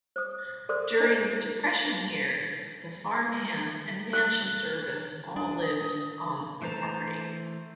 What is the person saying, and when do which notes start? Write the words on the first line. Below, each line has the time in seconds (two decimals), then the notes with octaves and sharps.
During the Depression years, the farmhands and mansion servants all lived on the property.
0.16 C5 D#6
0.69 A4 A#4 C5 D5 C6 D#6
1.00 D4 E4 C5 D#5
1.59 F4
4.13 F#6
5.36 D4 D#6
6.62 E3 A3 C5 A5 A#5